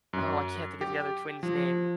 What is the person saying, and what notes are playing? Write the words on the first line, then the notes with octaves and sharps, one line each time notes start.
Oh, I can't think of the other twin's name-
F#2
G4
F3